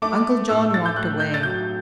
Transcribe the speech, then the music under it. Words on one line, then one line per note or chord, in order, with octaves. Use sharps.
Uncle John walked away.
A3 D6
A2 E6
A6
G6
A2 F#6
G6
A6
F#3 G6